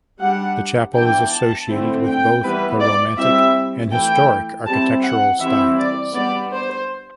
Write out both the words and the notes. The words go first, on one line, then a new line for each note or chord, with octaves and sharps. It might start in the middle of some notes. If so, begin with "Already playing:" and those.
The chapel is associated with both the Romantic and Historic architectural styles.
G3 D4 F#5
E3 B3 D4 G5
A5
D3 A3 C4 E4
G5
E3 G3 B3 E4 B4
D5
G3 C4 E4 E5
E3 A3 E4 G5
G3 C4 E4 A5
F#5
E3 G3 C4 E4 E5
D5
G3 B3 D4 D5
C5